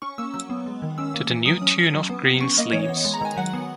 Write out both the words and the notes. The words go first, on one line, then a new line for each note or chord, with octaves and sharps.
To the new tune of Green Sleeves.
C#4 C#6
A#3 E6
F#3 E6
B3
G#3
D#3
C#4 E6
A#3
E3
F#3 D#6
C#4
C#4
F#3
B3
B3
C#4 C#6
A#3 D#5
E3 C#5
B3
G#3
A#5
D#3 G#5
F#3 F#5
B3